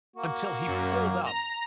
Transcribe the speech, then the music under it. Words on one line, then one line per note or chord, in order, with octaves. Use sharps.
until he pulled up?
A#3 F#4
F#2
A#5